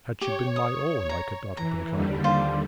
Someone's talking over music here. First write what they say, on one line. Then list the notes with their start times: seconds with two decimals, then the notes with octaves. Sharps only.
Had she been my own, I could not have been kinder.
0.21 G4 C#5
0.56 D#6
1.09 A#5
1.57 E3 A#5
1.92 D#2 D3 G3
2.24 F4 C5 D5